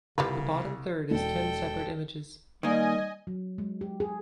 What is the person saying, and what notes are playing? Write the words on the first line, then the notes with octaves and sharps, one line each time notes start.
The bottom third is ten separate images.
C2 C#3 G3 F4 B4
E1 A4 G5
D#3 G3 A#3 D#5 G#5
F#3
G#3
G4
G#4